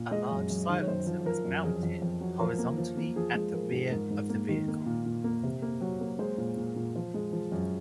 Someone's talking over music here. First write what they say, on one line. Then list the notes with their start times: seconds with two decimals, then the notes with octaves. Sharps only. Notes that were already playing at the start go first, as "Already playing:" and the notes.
A large silencer was mounted horizontally at the rear of the vehicle.
Already playing: A#2
0.11 G#3 D#5
0.31 F#2
0.50 F#2
0.69 D#3
0.82 C#5
0.88 F#2 C5
1.06 F3
1.26 F3 A#4
1.45 F#2
1.64 F2 G#4
1.83 F2
2.02 F2
2.21 F#3
2.39 F3 A#4
2.58 A#3
2.78 F3
2.97 A#3
3.16 F3 G#4
3.35 G#3
3.53 F3 A#4
3.72 G#2
3.91 G#2 A#4
4.10 G#2
4.29 A#3
4.49 D#3
4.68 A#3
4.86 A#2
5.06 A#2
5.24 A#3
5.43 C3
5.62 A#3
5.81 F#3
6.01 A#3
6.19 G#3 C5
6.38 A#2
6.57 A#2
6.76 A#2
6.95 F3 C5
7.14 G#3
7.33 F3
7.52 F#2